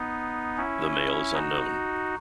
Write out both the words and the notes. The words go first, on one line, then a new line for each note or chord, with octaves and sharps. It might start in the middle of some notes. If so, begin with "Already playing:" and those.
The male is unknown.
Already playing: B3 D#4
C#4 E4
D#4 F#4